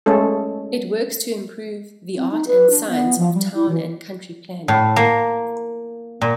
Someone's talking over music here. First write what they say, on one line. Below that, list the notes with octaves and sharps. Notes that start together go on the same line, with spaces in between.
It works to improve the art and science of town and country planning.
G#3 A3 C#4 A4
C4
D#4
B4
D4
B3
F3
G3
E4
E3
A2
A#3
A#2